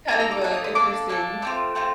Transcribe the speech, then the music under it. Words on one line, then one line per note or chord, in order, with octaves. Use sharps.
kind of a interesting
A#3 D#4 A4 A#5
A#5
D6
A#3 D#4 A4
D#6
D#6
A#3 D4 A4 D6
A#3 D4 A4
A3 C4 F4 D6
A3 C4 F4